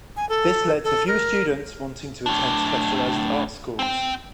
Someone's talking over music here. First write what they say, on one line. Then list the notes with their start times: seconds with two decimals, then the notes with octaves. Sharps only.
This led to fewer students wanting to attend specialised art schools.
0.17 G#5
0.29 A4
0.84 A4
1.07 A#4
2.26 A2 D4
3.79 C4 G5